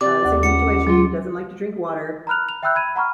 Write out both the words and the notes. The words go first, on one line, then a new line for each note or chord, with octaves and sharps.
uh, same situation, doesn't like to drink water.
C3 D5 D6
D#2
C#2 F#5 C#7
C#2
F#3 F4
A#5 B5 F6 F#6 F7
F7
E5 G5 B5 E6 F#6 G6
B5 G#6 D#7
F#5 A#5 B5 C#6 F6